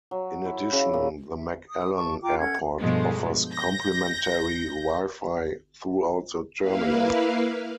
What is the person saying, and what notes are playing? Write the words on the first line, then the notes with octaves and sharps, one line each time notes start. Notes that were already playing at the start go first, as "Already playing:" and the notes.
In addition, the McAllen Airport offers complimentary Wi-Fi throughout the terminal.
F#3
E4
C#3
A#2
E5
D#6
A5 C#6
F4 G5 A#5 D6
C#4 A4 F#5 G#6
G2 B2 F3 G#3 A3
G6 A#6
A#3 E4 B4 F5